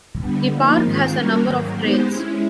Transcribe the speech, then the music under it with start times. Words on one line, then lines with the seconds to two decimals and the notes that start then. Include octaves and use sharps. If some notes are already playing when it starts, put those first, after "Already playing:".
The park has a number of trails.
0.20 D3 G3 B3
0.50 F3 A#3 D#4
0.82 G#2 D#3 G#3 C4 F4
1.12 G3 A#3 C#4 F#4 A#4
1.43 G#2 D#3 F#3 A#3
1.74 G#3 B3 D#4 G4 C5
2.05 G#3 C#4 E4